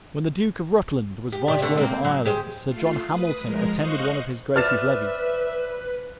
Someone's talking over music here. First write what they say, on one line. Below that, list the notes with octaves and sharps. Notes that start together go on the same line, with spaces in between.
When the Duke of Rutland was Viceroy of Ireland, Sir John Hamilton attended one of his Grace's levees.
G4
C3 G4 D5
D3 A3 C4
A#3 C4
F#3
G4 G#4 C5
A3 F4 C7
B4 D#6
F3 G#3 A#4
C5 D#5 F5 C#6 F#6
B4 C5 D5 E5 D6 F6 A6 E7